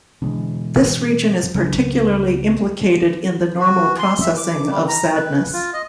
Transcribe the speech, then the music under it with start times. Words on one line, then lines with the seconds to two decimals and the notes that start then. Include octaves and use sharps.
This region is particularly implicated in the normal processing of sadness.
0.22 B2 D3 E3 G#3 D4
1.55 C#2 C#3 F#3 A#3 D4
3.59 F#4
3.99 C6
4.21 E5
4.37 D6
4.70 G3
4.88 A#5
5.14 B4
5.53 F4
5.73 D#5